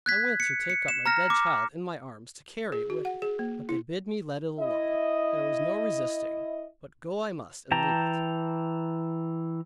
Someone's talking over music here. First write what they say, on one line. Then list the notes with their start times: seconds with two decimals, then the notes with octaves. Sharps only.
I went to take up my dead child in my arms to carry it with me, but they bid me let it alone; there was no resisting, but go I must and leave it.
0.06 F#6 G#6 B6
0.40 C#7
0.70 C#7
0.88 E7
1.06 A#5 F6 A#6
1.30 D6
2.72 G#4
2.90 F#4
3.05 F#5
3.22 G#4
3.39 A#3
3.69 E4
4.61 E4 D#5
7.72 E3 G5 A5 A#5